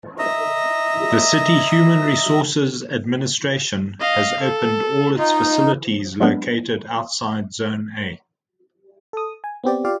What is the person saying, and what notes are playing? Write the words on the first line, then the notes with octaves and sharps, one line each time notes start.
The City Human Resources Administration has opened all its facilities located outside Zone A.
D#5 E5 A#5
D#5 F5
A4
D#4 F4
F#3 G#3 A#3 B3 D4
A4 D#6
G#5
B3 C4 G4 D5
F4 G4 D5 F5